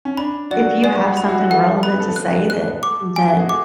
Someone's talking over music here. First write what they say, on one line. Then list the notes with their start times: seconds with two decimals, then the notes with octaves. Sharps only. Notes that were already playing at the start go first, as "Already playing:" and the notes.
if you have something relevant to say that that,
0.05 C#4
0.17 D4 B5
0.51 F#3 F#4 D5
0.84 G#3 G#4 D5
1.06 F#3 F#4
1.17 B5
1.24 E4
1.28 F#3 F#4
1.50 A3 A4 F#5
1.66 A3 A4
1.83 B3 B4 B5
2.00 A3 A4
2.16 F#6
2.50 F#6
2.83 D6
3.16 G#5
3.28 F#4
3.39 G#4
3.49 A3 D6